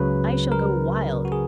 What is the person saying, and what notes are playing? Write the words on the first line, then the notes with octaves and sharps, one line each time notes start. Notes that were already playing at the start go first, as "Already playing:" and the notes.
I shall go wild!
Already playing: C#2 C#3 F#3 B4
A#4
F#4
G#4